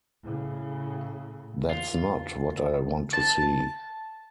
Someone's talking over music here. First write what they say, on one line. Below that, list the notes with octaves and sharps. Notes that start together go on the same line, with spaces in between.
That’s not what I want to see.
A2 C#3
F4
A5